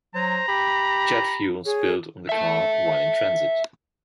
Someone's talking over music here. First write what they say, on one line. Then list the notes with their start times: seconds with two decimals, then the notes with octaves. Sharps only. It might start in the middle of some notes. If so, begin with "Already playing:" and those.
Jet fuel spilled on the car while in transit.
0.15 F#3 C5 A#5
0.48 G4 B5
1.66 G#4 C#5
2.29 E5 A5